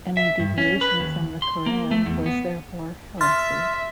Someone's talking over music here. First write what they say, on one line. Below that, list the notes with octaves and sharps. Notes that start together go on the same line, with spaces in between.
Any deviation from the Qur'an was therefore heresy.
E5
G2
C#4
B4
D#2
C6
A#3
A3
E2
B3
E5 C6 F6 A6